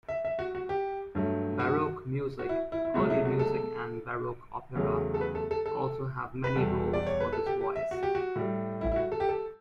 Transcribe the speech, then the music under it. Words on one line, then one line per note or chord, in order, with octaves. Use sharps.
Baroque music, early music and baroque opera also have many roles for this voice.
E5
E5
F#4
F#4
G4
G2 F#3 A3
F#4
F#4
E4
E4
E4
C#2 B2 F#3 A3 F#4
E4
F#4
A4
E2 C#3 F#3 A3
A4
B4
A4
A4
A4
B4
E2 B2 G3 A4
D5
C#5
B4
A4
G4
G4
E5
F#4
G4
F#4
A2 G3
E4
E4
F#4
A4
G4
A4